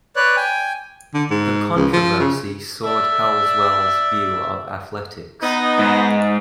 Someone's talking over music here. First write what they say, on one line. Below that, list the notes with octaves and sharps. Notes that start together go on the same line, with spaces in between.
The controversy soured Halswelle's view of athletics.
B4 C#5 D5 F#6
G5 G#5
D3
G#2
C#2
F3
C#3
D5 E5
B3 D#4
G#2